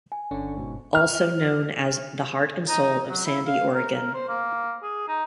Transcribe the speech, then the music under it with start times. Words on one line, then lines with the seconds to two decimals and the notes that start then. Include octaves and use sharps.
Also known as 'The heart and soul of Sandy Oregon.
0.12 G#5
0.31 G1 D3 C#4 D4 C#6
0.57 G#2 B2
0.95 F6
2.69 D#4
2.81 D#4
3.09 F#3
3.25 E4
3.46 F5
3.74 A#4
3.95 A#4
4.14 C5
4.28 A#3
4.83 G#4
5.08 D#4